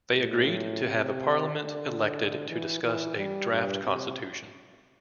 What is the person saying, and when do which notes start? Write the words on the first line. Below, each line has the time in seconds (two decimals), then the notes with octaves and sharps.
They agreed to have a parliament elected to discuss a draft constitution.
0.17 A2
0.84 C3
1.50 D3
2.50 E3
2.83 E3
3.17 G3
3.50 G2
3.84 C3